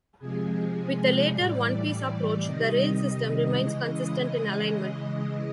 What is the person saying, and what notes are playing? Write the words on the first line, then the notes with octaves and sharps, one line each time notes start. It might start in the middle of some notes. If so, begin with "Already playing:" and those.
With the later one piece approach, the rail system remains consistent in alignment.
C3 F3 G#3 G#4
A2 E3 G3 D5
D5
C3 D#3 G3 D#5
C#3 E3 G#3